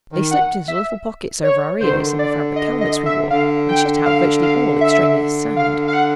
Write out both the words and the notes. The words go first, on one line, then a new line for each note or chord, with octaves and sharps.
They slipped into little pockets over our ears in the fabric helmets we wore, and shut out virtually all extraneous sounds.
D#3
F#5
E5
C#5
D3 C5
D#3
D3
D5
D#5
D#5
E5
D3 F5
G5
F5
F5
E5
F5
F5
F#5